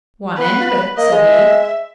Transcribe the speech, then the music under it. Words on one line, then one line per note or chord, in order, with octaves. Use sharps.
"One end of it," said he.
B3 B4
A#3 D#5
G#3
E5